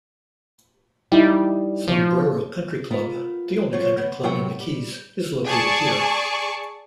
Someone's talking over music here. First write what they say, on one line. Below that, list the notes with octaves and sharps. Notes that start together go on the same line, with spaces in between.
Sombrero Country Club, the only country club in the Keys, is located here.
G3 D#4 E4 G5
F3
B3 F4 A#4
F#3 F4 C5 C#5
B3
C3 F#3 B3 A#4 F#5 G5
G3
G#4 D5 A5 C#6